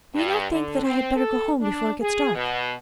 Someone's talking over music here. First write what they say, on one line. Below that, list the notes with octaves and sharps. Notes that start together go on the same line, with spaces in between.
"Do you not think that I had better go home before it gets dark?"
G2
D3
C4
A4
D4
G#4
B2